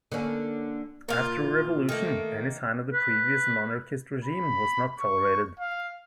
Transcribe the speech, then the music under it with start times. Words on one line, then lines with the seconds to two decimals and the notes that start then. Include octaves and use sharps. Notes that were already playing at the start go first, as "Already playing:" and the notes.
After the revolution, any sign of the previous monarchist regime was not tolerated.
0.12 D3 A#3 C#4
1.09 A#2 A#3 F4
1.41 E3
1.89 D#3 A3 A#3
2.93 B4
4.25 B5
4.99 C#6
5.60 F5